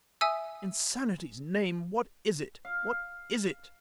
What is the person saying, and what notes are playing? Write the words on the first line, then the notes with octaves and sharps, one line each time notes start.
"In sanity's name what is it--what is it?"
E5 G#5 D#6 E6
F5